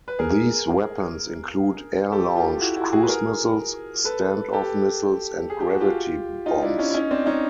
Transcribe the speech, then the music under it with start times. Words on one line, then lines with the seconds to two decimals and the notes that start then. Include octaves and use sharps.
These weapons include air-launched cruise missiles, standoff missiles, and gravity bombs.
0.08 B4
0.19 G#4 A#4
2.12 G4 A4
2.36 F4 G4
2.60 E4 F#4
2.76 E4 F#4
2.92 F#4 G#4
3.03 B4
3.09 G#4 A#4
4.05 A4 B4
4.53 G4 A4
5.50 G#4
5.60 G4
5.70 F#4
5.80 F4 G4
6.46 D#4 F4
6.62 D4 E4
6.78 C#4 D#4
6.90 E4
6.94 C#4 D#4
7.10 C4 D4
7.26 C#4 D#4